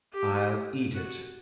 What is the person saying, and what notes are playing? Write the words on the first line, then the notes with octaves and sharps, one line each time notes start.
"I'll eat it."
G4
F#4